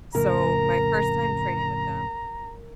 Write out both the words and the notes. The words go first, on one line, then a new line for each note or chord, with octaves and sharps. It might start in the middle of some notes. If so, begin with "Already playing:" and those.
So my first time training with them
F2 A2 C#3 A#4 A#5